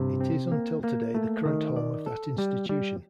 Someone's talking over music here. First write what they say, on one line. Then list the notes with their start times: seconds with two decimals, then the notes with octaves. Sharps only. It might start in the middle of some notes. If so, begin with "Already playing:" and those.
It is until today the current home of that institution.
Already playing: G2 C3
0.21 C4
0.51 A#3
0.84 A#3
1.15 A3
1.46 D#3
1.76 D5
2.06 A4
2.38 G3
2.69 G3